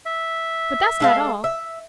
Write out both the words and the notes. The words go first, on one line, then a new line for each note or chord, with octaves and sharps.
But that's not all.
E5
G#3 A4 F5
E5